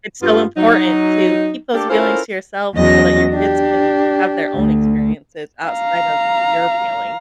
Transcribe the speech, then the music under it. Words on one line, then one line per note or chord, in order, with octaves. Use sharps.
It's so important to keep those feelings to yourself so that your kids can have their own experiences outside of your feelings.
G2 B3 F4
F#3 D#4
A3 A#3 D4 G4 A4
C#4 E4 F4 A4 A#4 C5
E2 F#3 C#4 F#4 D#5 A#6
D4 G4
D2
F5 A#5